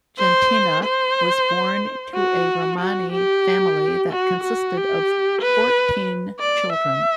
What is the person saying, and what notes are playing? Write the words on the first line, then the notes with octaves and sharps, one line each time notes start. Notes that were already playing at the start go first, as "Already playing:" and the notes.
Jentina was born to a Romani family that consisted of fourteen children.
C5
C5
F#4
F#4
G4
F#4
F#4
G4
B4
D5
E5